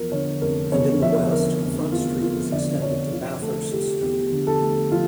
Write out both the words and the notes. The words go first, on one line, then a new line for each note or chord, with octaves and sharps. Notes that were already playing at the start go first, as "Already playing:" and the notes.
And in the west, Front Street is extended to Bathurst Street.
Already playing: E2 F3 A#4
D3 C#5
F1 A#4
E2 C#5
F3 E5
D3 A#4
F1
E2 F4
F3 F4
D3 D5
F1 C#5
D3 F4
A3 A4
F3 G4
E2 G4
D3
A4
A3
F3 F4